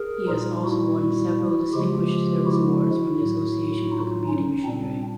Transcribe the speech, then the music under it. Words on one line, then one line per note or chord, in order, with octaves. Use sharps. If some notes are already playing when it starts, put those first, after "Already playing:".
He has also won several distinguished service awards from the Association for Computing Machinery.
Already playing: G#4 A#4
A#2 G3 D#4 F4
E4 F#4
C#3 F3 G#3 F4 G4
E4 F#4
A2 F#3
D#4 F4
C#4 D#4
A#2 G3 C4 D4